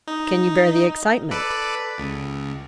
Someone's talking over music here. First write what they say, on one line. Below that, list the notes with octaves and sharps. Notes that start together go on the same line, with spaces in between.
"Can you bear the excitement?"
D#4
A4 B4 D5
C#2